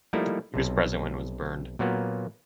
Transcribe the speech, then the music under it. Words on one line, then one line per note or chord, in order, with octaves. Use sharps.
He was present when it was burned.
F3 G3 A3 A#3 D#4 E4
B1 C3
A#2 F#3 A#3 B3